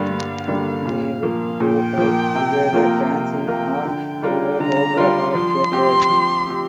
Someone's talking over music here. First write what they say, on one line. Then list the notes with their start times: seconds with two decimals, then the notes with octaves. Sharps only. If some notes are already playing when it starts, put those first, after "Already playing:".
They would go out together dancing or to the opera or theatre.
Already playing: G2 D3 G3 A#3 D4 F5
0.10 G2
0.48 D3 G3 A#3 D4
0.86 A#2
1.23 F3 A#3
1.60 A#2 G5
1.98 F3 A#3
2.35 C3
2.73 F3 A#3 F4 A#4
3.10 C3 G5
3.47 F3 A#3 F4 A#4
3.85 D3
4.22 G3 D4 F4 A#4
4.60 D3 A#5
4.97 G3 D4 F4 A#4 C6
5.34 F3 C6
5.72 C4 G4
6.10 F3
6.47 C4 G4